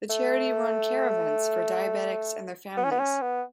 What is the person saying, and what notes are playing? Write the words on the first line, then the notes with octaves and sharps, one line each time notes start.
The charity run Care Events for diabetics and their families.
A3
B3
C#4
B3
C#4
B3